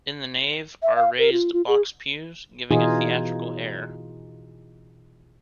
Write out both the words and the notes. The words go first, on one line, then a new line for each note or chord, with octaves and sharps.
In the nave are raised box pews, giving a theatrical air.
E5
F5
A#4
F4
F4
G#4
B2 E3 D#4 F4 G#4